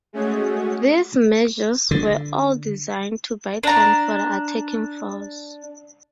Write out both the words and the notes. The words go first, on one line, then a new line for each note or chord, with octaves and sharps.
These measures were all designed to buy time for the attacking force.
G#3 A3 C#4 F#4 G#4
D3
D4 A#5